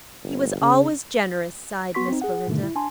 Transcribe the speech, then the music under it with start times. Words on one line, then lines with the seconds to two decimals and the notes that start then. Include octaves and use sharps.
"He was always generous," sighed Miss Belinda.
0.24 G1
0.61 C#3
1.95 B3 F#4 C6 C#6 B6
2.08 C4 D#4
2.22 G#4 F#5
2.47 G#2 B2 D3 D#3 A3
2.63 E4
2.75 D4 G#5 A5 C6